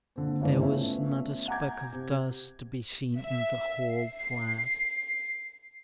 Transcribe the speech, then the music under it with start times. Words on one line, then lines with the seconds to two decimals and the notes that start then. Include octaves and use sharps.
There was not a speck of dust to be seen in the whole flat.
0.16 A#2 D3 C4
0.41 G1 G#2 C#3 E3 B3 D5
0.59 A3 B3 C#4 F4 C#5 E5
1.48 F#5 G#5 A#5 D6 G6 G#6
1.92 C3
3.17 E5
3.94 C7